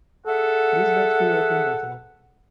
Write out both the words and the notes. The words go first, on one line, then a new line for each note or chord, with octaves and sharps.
Nisbet grew up in Buffalo.
G#4 A4 E5 F#5